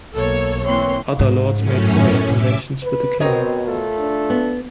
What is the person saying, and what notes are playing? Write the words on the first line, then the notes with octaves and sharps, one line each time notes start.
Other lords made similar conventions with the king.
B1 A#3 A4 C#5
E3 A#3 C4 C#5 C6
G#2
F#2 A2 C#4
A2 E5 D6
B4
B2 B3 C4 A#4 C#5 D#5
A3 F4 A4
D4
B3